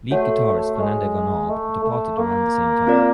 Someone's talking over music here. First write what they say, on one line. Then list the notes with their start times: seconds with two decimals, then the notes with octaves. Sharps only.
Lead guitarist Fernando von Arb departed around the same time.
0.11 A3 F#4 A4 C#5 F#5
0.80 G#3
1.49 A3
1.83 A3
2.17 A#3
2.87 C4 F4 A#4 D5